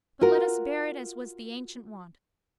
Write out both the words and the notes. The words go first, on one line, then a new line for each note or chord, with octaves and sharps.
But let us bear it as was the ancient wont.
F4 F#4 A#4